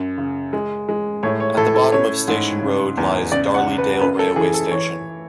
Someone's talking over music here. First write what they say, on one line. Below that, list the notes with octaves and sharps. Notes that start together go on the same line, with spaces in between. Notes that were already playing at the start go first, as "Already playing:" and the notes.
At the bottom of Station Road lies Darley Dale railway station.
Already playing: F#2
C#3
G#3
G#3
A2 C#5
C#5
A2 A4
A4
C#4 C#5
G#2
C#3
E2
C#3 D5
F#5
C#3
B4
F#2 B4
A4
E3 G#4
A4
E3 C#5